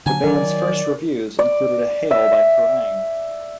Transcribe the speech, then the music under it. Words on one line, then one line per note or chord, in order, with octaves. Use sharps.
The band's first reviews included a hail by Kerrang!
D3 F#3 G#5
D#3 F#3 A#4 D5
D5
E5